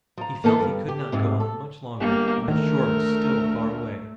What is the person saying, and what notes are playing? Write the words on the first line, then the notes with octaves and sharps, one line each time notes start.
He felt he could not go on much longer, and the shore was still far away.
F3 A#5
A#3 B3 A4
G2
G4
F2 G#2 C3
A4
G1 A#3 G4
D2 D#3 A3 A#4